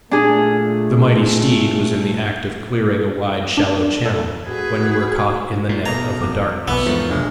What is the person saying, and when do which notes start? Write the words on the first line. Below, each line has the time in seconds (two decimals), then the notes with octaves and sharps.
The mighty steed was in the act of clearing a wide shallow channel when we were caught in the net of the darkness.
0.11 A#2 A3 D4 G#4
3.57 D4
4.06 A4
4.48 F#4 G#4 B4
5.69 A#2
5.86 B2 A3 A#3 G#4 A#5
6.20 F2 F#3 D6
6.68 B1 A#2 E3 B3 G#5 E6
6.86 E2 G#2 D#3 F3 F#3 A4 E5
7.09 F1 B1 G#3 A#3 D4